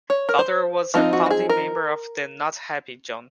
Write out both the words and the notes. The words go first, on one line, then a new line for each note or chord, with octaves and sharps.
Valder was a founding member of the 'Not happy, John!
C#5
A#4
C5
F3 C4 D#4 F4
F#4
F#4
G#4
A#4